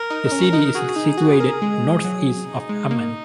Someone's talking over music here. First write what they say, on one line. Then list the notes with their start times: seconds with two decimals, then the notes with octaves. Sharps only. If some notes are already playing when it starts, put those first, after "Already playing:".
The city is situated northeast of Amman.
Already playing: A#4
0.10 D#4
0.32 C#4
0.53 D#4
0.75 F#4 G#4
0.96 D#4
1.17 F#4
1.40 A#4
1.62 G#3
2.04 F#3
2.47 D#4
2.69 G#3
2.91 A#3